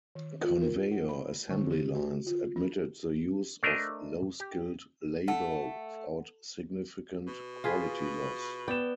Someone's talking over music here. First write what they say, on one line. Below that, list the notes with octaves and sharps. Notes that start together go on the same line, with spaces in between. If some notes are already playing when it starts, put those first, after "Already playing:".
Conveyor assembly lines admitted the use of low-skilled labour without significant quality loss.
D#3
F4
A#4
F#5
B5
D3
G4
F#4
F4
C#4
A3 D4 A#4 C5 D#5
G4
A3 F#5
B2
F4 G#4 B4
B3 D5 G5 E7